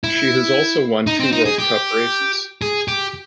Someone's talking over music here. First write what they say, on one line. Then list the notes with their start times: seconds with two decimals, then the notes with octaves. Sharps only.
She has also won two World Cup races.
0.04 E4
1.07 D#4
1.20 C4
1.32 D#4
1.45 G#4
1.58 G4
2.62 G#4
2.88 G4